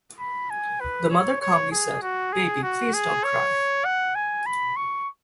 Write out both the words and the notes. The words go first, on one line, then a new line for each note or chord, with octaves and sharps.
The mother calmly said: "Baby please don't cry."
B5
G#5
B4
C#5
C#5
G#4
F#4
G#4
F#4
G#4
C#5
F#5
G#5
B5
C#6